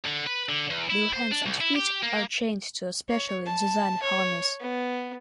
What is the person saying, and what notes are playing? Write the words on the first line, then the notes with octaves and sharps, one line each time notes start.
Their hands and feet are chained to a specially designed harness.
D3
B4
D3
E2
E4
C5
D4
C2
E4
G4
A#3
C#5
A5
C#5
B3